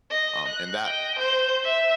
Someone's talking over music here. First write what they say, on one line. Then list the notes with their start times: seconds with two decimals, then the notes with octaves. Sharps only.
um, and that,
0.10 D#5
0.48 F#6
0.84 D#5 G5
1.19 C5 G6
1.64 E5